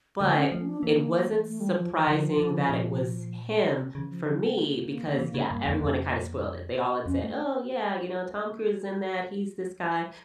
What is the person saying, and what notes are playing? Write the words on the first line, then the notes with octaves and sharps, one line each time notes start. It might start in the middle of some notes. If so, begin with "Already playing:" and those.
but it wasn't surprising that it was him for me, because, yeah, everyone had kinda spoiled it. They all had said, "Oh yeah, you know, Tom Cruise is in that, he's this guy."
D3 A3
C#4
F3 A3
C#4
D4
E3 A#3
A3
G3
F3
E3
D3 F3
D3
A#2
C#3 E3
F3
F3
A3
A#3
E3
C#3
G2
F2
F2
F2 C#4
A3